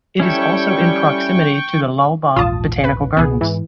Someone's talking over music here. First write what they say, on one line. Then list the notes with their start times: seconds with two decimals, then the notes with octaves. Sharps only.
It is also in proximity to the Lalbagh Botanical Gardens.
0.20 G3 C#4 E4 A4 G5 C#6
2.36 A#1 E2 G#2 F4 A5 D#6
2.84 B4
3.17 C#2 B2 B3 G#4
3.41 G#2 E3